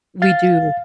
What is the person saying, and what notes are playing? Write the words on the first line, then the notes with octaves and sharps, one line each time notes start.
We do.
F5 A6